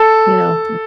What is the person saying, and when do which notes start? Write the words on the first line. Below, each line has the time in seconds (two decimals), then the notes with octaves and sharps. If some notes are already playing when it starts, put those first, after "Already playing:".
you know,
Already playing: A4